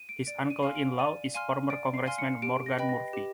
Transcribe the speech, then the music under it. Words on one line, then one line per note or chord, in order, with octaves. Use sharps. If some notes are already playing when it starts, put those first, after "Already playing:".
His uncle-in-law is former congressman Morgan Murphy.
Already playing: D#7
D7
D5 D7
D#7
F5 G#5 C6 F6
D7
D5 D#7
F5 G#5 C6 F6 D#7
D5 D7
C7
F5 G#5 C6 F6
C#7
G4 D7
A#6
B4 D#5 G5 B5
A#6
G4